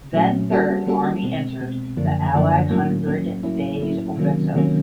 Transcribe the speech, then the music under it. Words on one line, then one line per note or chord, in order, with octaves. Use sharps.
Then Third Army entered the Allied Hundred Days Offensive.
A#2 F#3 A3 C#4
G3 A#3 C#4 F#4 A4
G3 A#3 C#4 F#4 A4
B2 G#3 C4
B2 G#3 C4
F#2 D3 F3 A#3 D4
F#2 D3 F3 A#3 D4
A2 F#3 A#3 C#4
A2 F#3 A#3 C#4
A2 F#3 A#3 C#4 E4
A2 F#3 A#3 C#4 E4
C3 D#3 F#3 A#3 C#4
C3 D#3 F#3 A#3 C#4